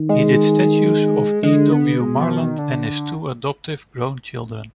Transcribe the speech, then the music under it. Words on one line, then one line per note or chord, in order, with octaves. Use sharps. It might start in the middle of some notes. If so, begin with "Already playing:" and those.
He did statues of E. W. Marland and his two adoptive grown children.
Already playing: D#3
G#3
D3 G#3
B3
B2 G#3
F3
D#3
D3